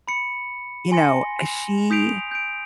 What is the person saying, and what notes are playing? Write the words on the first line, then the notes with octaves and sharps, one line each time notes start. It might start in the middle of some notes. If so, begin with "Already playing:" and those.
you know, uh, she
B5 C#7
G#5 C6 A#6 C#7
D#6 G6 B6 C7 D7 F7
G6 D7